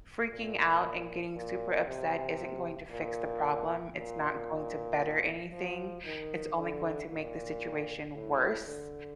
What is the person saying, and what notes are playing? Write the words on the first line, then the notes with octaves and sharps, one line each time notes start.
freaking out and getting super upset isn't going to fix the problem, it's not going to better anything, it's only going to make the situation worse,
A#2
A#2
C3
A#2
A#2
F3
D#3
D3
A#2
A2
D3